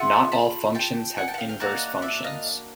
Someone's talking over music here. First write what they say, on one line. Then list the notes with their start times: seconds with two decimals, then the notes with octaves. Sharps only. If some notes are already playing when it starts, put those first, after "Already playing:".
Not all functions have inverse functions.
Already playing: F4 G#4 E5 F#5
0.32 A5 B5
0.75 G5 A5
1.18 F#5 G#5
1.28 G5 A5
1.34 F#5
1.38 F5 G5
1.49 F5 G5
1.60 A#3 D4 F#4 D#5 F5
2.02 D5 E5
2.24 D#5 F5